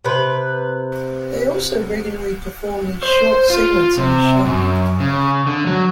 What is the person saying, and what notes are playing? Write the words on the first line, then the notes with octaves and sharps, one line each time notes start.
They also regularly performed in short segments on the show.
C3 B4
C5
F4
C3
F#2
C#3
D3
F#3